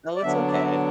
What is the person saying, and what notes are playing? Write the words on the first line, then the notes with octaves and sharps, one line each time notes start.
no, it's okay.
D5
D3 F#3 B3 D4 E5
D5
E5